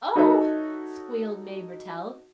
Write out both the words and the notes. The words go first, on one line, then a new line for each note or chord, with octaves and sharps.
"Oh!" squealed Mae Mertelle.
D#4 F#4 A4 C#5 D#5 E5